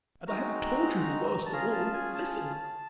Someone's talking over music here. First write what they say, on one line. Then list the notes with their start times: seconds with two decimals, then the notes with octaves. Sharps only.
And I haven't told you the worst of all. Listen!
0.28 G#3 C4 D#4 F#4 A#5
1.46 A5
1.52 C#4 F4 G#4 A#5
1.73 A5
1.93 G#5
2.15 A5